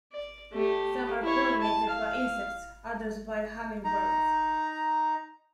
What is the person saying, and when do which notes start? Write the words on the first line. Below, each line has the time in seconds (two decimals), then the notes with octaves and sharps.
Some are pollinated by insects, others by hummingbirds.
0.12 D5
0.53 A3 G4
1.23 E4 C#5
1.61 A5
1.89 F5
3.84 D#4 A#5